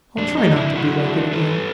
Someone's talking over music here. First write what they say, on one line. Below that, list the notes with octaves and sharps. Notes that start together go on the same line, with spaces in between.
I'll try not to be like it again.
F2 D4
D#4
F2
D4 E4
F#3 E4 F#4
D4
G2 A4 B4